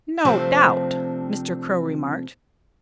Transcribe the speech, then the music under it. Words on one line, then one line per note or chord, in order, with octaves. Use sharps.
"No doubt!" Mr. Crow remarked.
C3 F3 A3 C4 D4